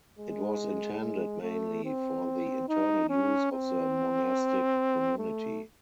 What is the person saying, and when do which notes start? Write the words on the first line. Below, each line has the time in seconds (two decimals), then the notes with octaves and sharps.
It was intended mainly for the internal use of the monastic community.
0.19 G#3
1.01 G#3
1.43 A3
1.85 C4
2.69 D#4
3.10 C#4
3.52 C4
5.18 A3